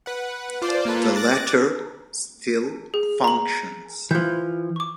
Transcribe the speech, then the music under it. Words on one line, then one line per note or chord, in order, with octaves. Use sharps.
The latter still functions.
B4 F#5
F4 C5 D5
A#3 F4 A4 B4
D6 F#6 A6 A#6
G#4
A#5 F#7
E3 F3 G6
C#6 D6